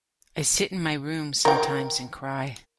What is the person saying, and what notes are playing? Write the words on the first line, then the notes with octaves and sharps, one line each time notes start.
I sit in my room sometimes and cry.
A#4 G5